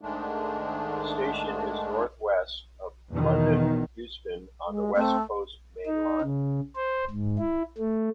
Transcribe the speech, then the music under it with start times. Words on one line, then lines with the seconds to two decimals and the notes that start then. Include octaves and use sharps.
The station is north west of London Euston on the West Coast Main Line.
0.01 G#2 D#3 G#3 A3 D4
3.11 E2 B2 D#3
4.68 G#3
4.95 A3 C4
5.86 D#4
6.22 C#3
6.76 C5
7.11 G#2
7.39 E4
7.78 A3